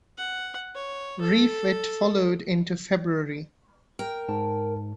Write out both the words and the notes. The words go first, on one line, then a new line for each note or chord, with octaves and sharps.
Refit followed into February.
F#5
C#5
A4
A#4 G5
G#2 A5